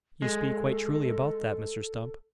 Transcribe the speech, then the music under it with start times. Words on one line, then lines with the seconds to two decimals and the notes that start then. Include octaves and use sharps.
You speak quite truly about that, Mr Stump.
0.22 G#3 A4